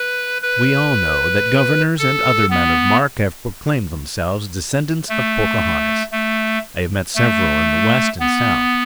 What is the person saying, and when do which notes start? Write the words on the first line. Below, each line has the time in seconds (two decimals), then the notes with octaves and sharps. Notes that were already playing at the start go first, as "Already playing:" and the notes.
We all know that governors and other men of mark have proclaimed themselves descendants of Pocahontas; I have met several in the West and South.
Already playing: B4
0.42 B4
1.99 A4
2.50 B3
5.10 A3
6.12 A3
7.16 A3
8.20 B3